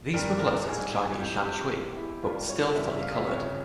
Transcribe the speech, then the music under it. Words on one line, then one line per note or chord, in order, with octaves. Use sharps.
These were closer to Chinese shan shui, but still fully coloured.
G#1 G2 G3 A#4
A#4
A#1 G#2 G3 G#4
G#4
F2 E3 G#3 G4
G4
E2 E3 G#3 G4
E4
G#1 G#2 G3 F4
C#5
E2 C#3 G3 E5
E5
F5
E5
G1 F2 C#3 C#5